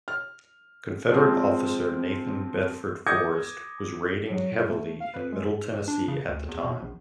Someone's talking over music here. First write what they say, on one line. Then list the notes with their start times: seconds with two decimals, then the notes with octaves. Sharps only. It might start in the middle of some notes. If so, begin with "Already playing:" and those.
Confederate officer Nathan Bedford Forrest was raiding heavily in middle Tennessee at the time.
0.08 F6
1.12 F3 G#3 C4
3.06 D6 D#6 G6 G#6 A#6 C#7
4.30 F#3
4.52 A2
4.70 A3
5.00 F5
5.14 B4
5.32 G#3
5.47 G#2
5.88 D4
6.08 C#3
6.28 D2
6.48 E2
6.64 B2
6.82 A#1